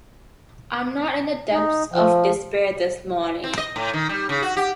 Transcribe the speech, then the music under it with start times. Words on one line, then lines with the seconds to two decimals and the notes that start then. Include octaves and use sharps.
I’m not in the depths of despair this morning.
1.52 D#4
1.93 F3
3.44 C4
3.58 D#5
3.76 A2
3.93 D#3
4.09 G3
4.29 C#3
4.42 F#4
4.57 G4